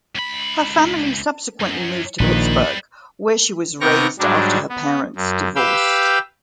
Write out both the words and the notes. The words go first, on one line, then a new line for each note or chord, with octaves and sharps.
Her family subsequently moved to Pittsburgh, where she was raised after her parents' divorce.
C#2 B5
F#2
A#1 A#2 D#3 G3 B4
C3 B3 G5 C#6 F6 A#6
G#2 F#3 G3 D4
B3
F#2
G4 B4 F5 G5 B5 E6